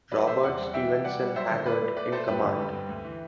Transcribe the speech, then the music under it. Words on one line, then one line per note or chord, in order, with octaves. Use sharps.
Robert Stevenson Haggart in command.
F#3 B4 D5
C3 C5 E5
E2 D5 F#5
G3
E3 E5 G5
C3
G3 D5 F#5
G3
F#3 C5 E5
D3
A2 B4 D5
A2
A3 B4 D5
A3 A4 C5
G2 G4 B4
D3
G2
C4
D2
E3